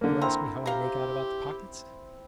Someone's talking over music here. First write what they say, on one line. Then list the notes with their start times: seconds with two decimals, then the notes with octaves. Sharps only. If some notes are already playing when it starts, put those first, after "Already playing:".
You'll ask me how I make out about the pockets?
0.01 D3 A#3
0.21 C4 E4 A#5
0.66 G4 F5 A#5